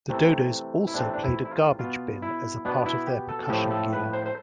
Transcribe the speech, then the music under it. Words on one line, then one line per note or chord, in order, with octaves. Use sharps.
The Dodos also played a garbage bin as a part of their percussion gear.
C3 E3 A3 C4
E4
C3 E3 A3 C4 D4
D4
E4
E4
F4
B2 B3 F4
E4
B2 B3 D4
E4
G4
A4
A4
A2 F3 A3 C4 G4
A4
B4
C5
C5